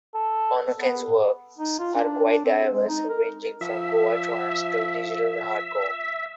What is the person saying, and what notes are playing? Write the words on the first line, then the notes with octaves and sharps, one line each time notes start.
Onoken's works are quite diverse, ranging from goa trance to Digital hardcore.
A4
B3
D#4
F4
D4
D4
C4
G#3
D#4
A#4
F3 E5